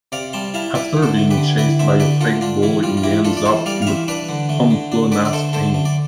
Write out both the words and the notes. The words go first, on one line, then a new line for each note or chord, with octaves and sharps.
After being chased by a fake bull he ends up in Pamplona, Spain.
C3 D5 F5
G3 A5 C6
E4 F5 A5
E4 B4 D5
D3
A4 C5
A3
G4 B4
D3
E4 B4 D5
D3 C5 E5
A3 B4 D5
D3 F4 A4
D4 F4
E3 E4
G3 F4
F4
E3 E4 G4
D4 F4 A4
D5
E3 A4 C5
G3 D5 F5
F5
E3 C5 E5
D4 B4 D5
D3
A3
D3
D4
D3 B4 D5
D5
A3 A4 C5
D3 A4 C5
A3
D5